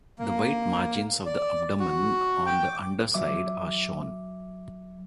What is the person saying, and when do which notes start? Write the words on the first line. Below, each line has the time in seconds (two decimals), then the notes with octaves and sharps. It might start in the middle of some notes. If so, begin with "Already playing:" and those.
The white margins of the abdomen on the underside are shown.
0.19 A#3
1.26 D5
1.79 F#4
2.46 G5
2.63 D6
3.14 F#3 E5 D6